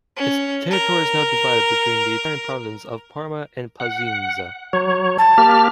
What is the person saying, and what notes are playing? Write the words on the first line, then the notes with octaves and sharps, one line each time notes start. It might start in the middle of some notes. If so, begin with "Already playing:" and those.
Its territory is now divided between the Italian provinces of Parma and Piacenza.
C#4
A#4
F#5
F#3 C#5
A5
A#3 G4 F6